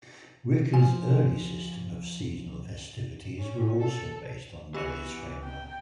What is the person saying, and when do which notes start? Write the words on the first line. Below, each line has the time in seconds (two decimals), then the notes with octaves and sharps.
Wicca's early system of seasonal festivities were also based on Murray's framework.
0.74 F3 G#5
3.40 C#4
3.79 A4
4.75 E3 B3 F#4 G4 G#5
5.43 G5